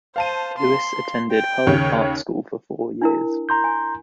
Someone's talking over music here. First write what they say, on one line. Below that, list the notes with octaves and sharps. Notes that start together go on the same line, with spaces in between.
Lewis attended Hull Art School for four years.
C5 F5 A5 D#7
C6
G5
D#2 C#3 C#5
D4 E4 A#4
A#5 C6 G6
G#5